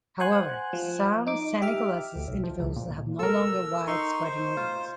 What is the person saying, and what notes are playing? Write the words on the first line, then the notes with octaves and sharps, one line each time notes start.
However, some Senegalese individuals have longer and wide-spreading horns.
C5 F#5 G#5 F#6
F3
D#4 D6
G4 E5 D6 F6
D2
B1
F3
C#2
A#2
A4 A#4 E6
D#4 C6 C#6
C5
F4